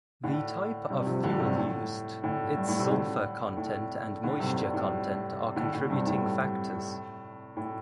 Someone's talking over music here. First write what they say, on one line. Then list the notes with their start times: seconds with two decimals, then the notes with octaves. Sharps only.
The type of fuel used, its sulfur content and moisture content are contributing factors.
0.24 A2 D3
0.90 G2 C3
1.06 C3 F3
1.24 A2 D3
1.40 G2 C3
1.57 A2
2.24 A2 D3
2.57 G2
2.68 A2
2.80 C3
2.90 A2 D3
3.57 A2
4.24 A2 D3
4.40 G2 C3
4.56 G2
4.74 A2
5.56 A2 D3
5.73 A2 D3
5.90 G2 C3
6.07 A2
7.57 A2